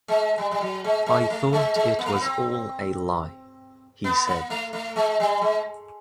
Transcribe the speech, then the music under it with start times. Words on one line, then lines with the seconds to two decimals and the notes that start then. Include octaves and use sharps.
"I thought it was all a lie," he said.
0.08 G#3
0.38 G3
0.51 G3
0.61 F#3
0.84 G#3
1.06 G#3
1.30 A3
1.53 G#3
1.76 G#3
1.99 A#3
2.06 A3
2.12 A#3
2.21 C4
4.04 B3
4.27 A#3
4.50 A3
4.73 A3
4.96 G#3
5.20 G3
5.42 G#3